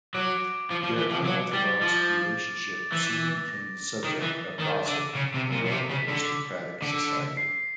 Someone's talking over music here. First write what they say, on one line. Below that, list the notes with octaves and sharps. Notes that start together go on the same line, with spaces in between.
Their unorthodox relationship soon became the subject of gossip among aristocratic society.
F#3 D6 D7
F3
F3
E3
F3
F#3
G3 A6
F3 A6
E3
A#6
D#3
E3
D#3
D3
C#3
C3
A#2
B2
C3
C#3
B6
D3
D3
C7